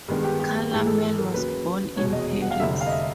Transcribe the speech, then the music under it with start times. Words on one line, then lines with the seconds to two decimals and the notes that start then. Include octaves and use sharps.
Challamel was born in Paris.
0.08 G2 D#3 G#3 B3
0.24 G4
0.40 G4
0.71 G#2 E3 G#3 G4
0.87 A4
1.02 A4
1.18 A#4
1.34 D#2 C#3 F#3 B4
1.96 F1 E2 B2 G#3 C#5
2.13 D#5
2.42 F#5
2.51 F5
2.60 F1 F2 D3 G3 E5
2.81 F5
2.87 D#5
2.91 E5